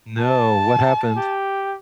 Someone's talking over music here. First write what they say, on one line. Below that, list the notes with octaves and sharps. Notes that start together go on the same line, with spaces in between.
No, what happened?
A5
G4